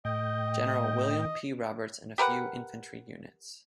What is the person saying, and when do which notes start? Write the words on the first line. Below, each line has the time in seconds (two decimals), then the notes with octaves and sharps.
General William P. Roberts and a few infantry units.
0.05 A2 D#5 G5
2.18 G4 A#4 B4 F#5